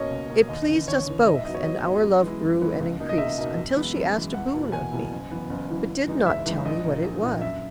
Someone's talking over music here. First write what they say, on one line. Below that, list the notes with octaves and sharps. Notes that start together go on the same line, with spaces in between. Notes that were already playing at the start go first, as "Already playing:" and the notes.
It pleased us both, and our love grew and increased, until she asked a boon of me, but did not tell me what it was.
Already playing: B2 A#3 C#4 C#5 D#5
C#2
B2 A#3 C#4
D#2 D#5
C#3 E3
D#2 C#5
C#3 E3
G#2 D#5
E5
F#3 B3 D#4 D#5
C#5
G#2 D#5
F#3 B3 D#4
F#2
E3 G#3 B3 E4
F#2
E3 G#3 B3 E4
C#2
B2 A#3 D#4
D#5
C#2 E5
B2 A#3 D#4
F#2
E3 G#3 B3
F#2
E3 G#3 B3
E2 F#5
B2 A#3 E4
E2 G#5
B2 A#3 E4
F#1
F#2 E3 B3 E4
F#1
F#2 E3 B3 E4
F#1
F#2 E3 G#3 D#4
F#1 E5
F#2 E3 G#3 D#4
A#1 D#5
A#2 A#3 D#4
A#1
A#2 A#3 D#4
F#2 E5